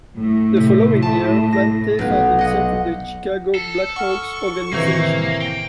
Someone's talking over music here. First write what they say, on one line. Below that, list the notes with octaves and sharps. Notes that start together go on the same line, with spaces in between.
The following year Plante found himself in the Chicago Blackhawks organization.
A2
C3
A5
A#6
B1 B3
D#5 F#5
A4
F#5 C#6 F6
A2 C3 D#3 E3 A#3 G#6
G5